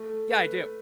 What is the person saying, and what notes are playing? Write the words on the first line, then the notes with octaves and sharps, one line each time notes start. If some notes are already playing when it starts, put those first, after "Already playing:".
Yeah, I do.
Already playing: A3
B4